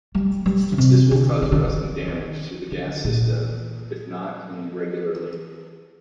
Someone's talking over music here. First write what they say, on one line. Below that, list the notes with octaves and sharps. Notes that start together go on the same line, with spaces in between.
This will cause rust and damage to the gas system if not cleaned regularly.
G3
G3
D3
C3
D3
D#3
D3
D#3
D#3
D3
A#2